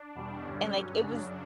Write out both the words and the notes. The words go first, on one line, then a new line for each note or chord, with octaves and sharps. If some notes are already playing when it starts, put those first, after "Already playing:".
And, like, it was
Already playing: D4
E2 B2 G3
G2 D3 G3 C#4
G2 F#3 C#4
F#2 C#3 F#3 D4